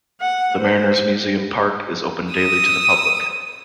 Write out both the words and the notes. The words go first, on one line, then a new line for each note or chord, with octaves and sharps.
The Mariners' Museum Park is open daily to the public.
F#5
C5
D#6 E6